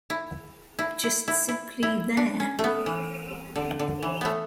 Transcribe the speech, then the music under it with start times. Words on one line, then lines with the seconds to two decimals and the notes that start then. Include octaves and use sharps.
Just simply 'there.'.
0.10 E4
0.79 E4
1.04 E4
1.28 E4
1.48 E4
1.83 E4
2.17 D4
2.40 C#4
2.59 A3
2.64 B3
2.86 E3
3.56 D3
3.79 D3
4.03 E3
4.21 A3 B3